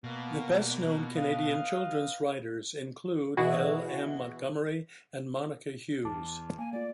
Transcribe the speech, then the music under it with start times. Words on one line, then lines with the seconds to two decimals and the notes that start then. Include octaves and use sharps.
The best-known Canadian children's writers include L. M. Montgomery and Monica Hughes.
0.04 B2 A#3
1.15 B4 D#5 F5
3.37 B2 E3 E4 F#4 G#4
6.05 E2 A5 D6
6.58 A#3 G#5
6.73 A3 F4 D5